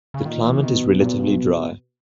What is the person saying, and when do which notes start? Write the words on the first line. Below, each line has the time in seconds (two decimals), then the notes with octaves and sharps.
The climate is relatively dry.
0.14 C#3
0.25 A#2 D#3
0.45 E3
0.63 B2 D#3
1.00 A#2
1.20 G2